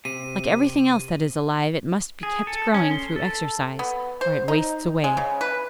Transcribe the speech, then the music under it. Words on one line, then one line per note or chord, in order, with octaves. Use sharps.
Like everything else that is alive, it must be kept growing through exercise, or it wastes away.
C3 D#7
G#4
A4
C#4
C6
A4
B3
C5
D#4
G#3
C#3
B4